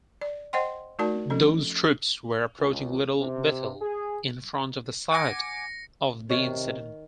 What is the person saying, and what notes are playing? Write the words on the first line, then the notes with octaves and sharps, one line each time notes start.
Those troops were approaching Little Bethel in front of the site of the incident.
D5
C5 D#5 F#5 G5 C6
A3 D#4 F#4 A#4 D5 A5
F3 C#4 A4
C#2
C3
G#4
F#5 G#5 D6 A#6 C#7
C3 D#3 C#5